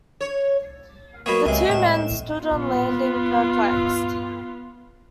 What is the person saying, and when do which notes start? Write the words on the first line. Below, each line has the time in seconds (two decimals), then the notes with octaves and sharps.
The two men stood on the landing perplexed.
0.21 C#5
1.26 F#3 A#3 B3 C#5 D#5 B5
1.46 C#2 C3 G#3
1.69 A2 E7
2.45 B3 F4